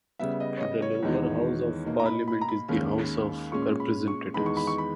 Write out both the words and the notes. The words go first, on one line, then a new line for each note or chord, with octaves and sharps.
The lower house of parliament is the House of Representatives.
C#3 G3 B3 E5
D#5
C#5
D#5
C#5
E2 D#3 G#3 D#4
B2 A#3 D#4
A#5
B5
B5
A#5
B5
D#2 D#3 G#3 C#4
A#2 G#3 C#4 C#6
B5
C#6
E2 D#3 G#3 D#4 B5
C#6
B5
C#6
B5